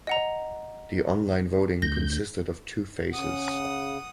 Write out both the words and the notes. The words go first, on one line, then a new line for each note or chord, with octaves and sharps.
The online voting consisted of two phases.
D#5 F#5 A#5
D2 G6 A#6
C#3 F#5 D#6